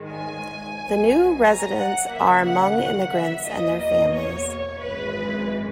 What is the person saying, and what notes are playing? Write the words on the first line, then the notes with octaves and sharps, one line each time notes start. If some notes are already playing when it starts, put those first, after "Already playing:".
The new residents are Hmong immigrants and their families.
Already playing: G#2 D#3 G#3
G#5
B1 B2 F#3
A#5
F#5
D#2 C#3 F#3 A#3 E5
F#5
F#5
E5
E2 B2 A#3 D#5
D#5
C#5
G#1 F#2 E3 G#3 B4